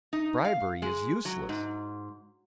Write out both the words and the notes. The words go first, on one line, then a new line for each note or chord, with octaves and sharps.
Bribery is useless!
D#4
F5
G#3
F#3
G#2